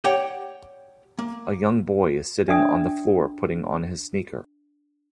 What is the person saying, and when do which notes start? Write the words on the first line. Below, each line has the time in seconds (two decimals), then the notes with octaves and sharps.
A young boy is sitting on the floor putting on his sneaker.
0.04 G4 C#5 D5 F#5 G5
1.19 A#3
2.48 D4 D5 E5 G5 G#5 D#6